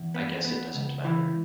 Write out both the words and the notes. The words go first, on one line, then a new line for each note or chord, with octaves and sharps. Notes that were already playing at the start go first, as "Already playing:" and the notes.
I guess it doesn't matter.
Already playing: E2
B3
B3
C#2
E3